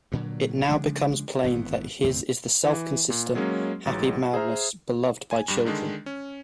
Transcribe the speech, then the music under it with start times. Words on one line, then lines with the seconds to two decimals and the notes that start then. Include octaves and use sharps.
It now becomes plain that his is the self-consistent, happy madness beloved by children.
0.12 G2 A#2 D3 F#3
0.68 C#3 F3 G#3 D4
1.44 G#1 G2 E3 B3
2.04 D#2 A2 C#3 C4
2.64 E3
3.10 A#2
3.35 F#3 G#3 A#3 C#4
3.85 A1 G#2 F#3 A6
4.33 G#4 C5 E5 A#5 F6
5.31 G#5
5.48 G2 G3
5.65 D3 D#3 G#3 D4
6.06 C#4